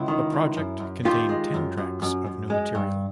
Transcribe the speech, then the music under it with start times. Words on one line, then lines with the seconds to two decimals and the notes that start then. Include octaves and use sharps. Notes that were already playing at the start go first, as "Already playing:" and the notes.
The project contained ten tracks of new material.
Already playing: C#2 E4
0.08 D#3
0.32 C#2
0.57 F#2
0.80 F#2
1.05 D#3 F4 G4
1.29 G#3
1.54 F#2
1.77 F#2
2.02 F#2
2.26 F#2
2.50 G#3
2.75 G2